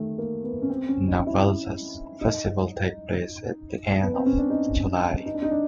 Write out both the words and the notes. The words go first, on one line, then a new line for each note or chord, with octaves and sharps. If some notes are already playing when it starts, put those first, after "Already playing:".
Navalsaz festival takes place at the end of July.
Already playing: D#3 A3
A#3
B3
C#4
C4
C#4
D#4
E4
D#4
B3
C4
C#4
D4
D#4
D#4
D4
D#4
D4